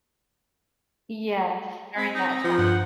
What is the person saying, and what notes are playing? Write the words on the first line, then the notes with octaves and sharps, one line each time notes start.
Yes, during that tough
C4 B5
D#4
D#4
F3
G2 F#5